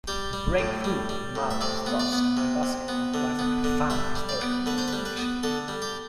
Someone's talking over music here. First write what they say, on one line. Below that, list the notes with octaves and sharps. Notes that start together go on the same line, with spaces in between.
The "breakthrough" of Mahler, Strauss, and Debussy implies a profound historical transformation ...
G3 G4
G3
A2
G3
G3
A2
E5
C3 D5
B3
D5
B3
C3
C3
B3
D3
B3
D3
G3 E5
G3
D5
B3
D3 B4
C5
G3 B4
B4
B3
D3 A4
G3
G4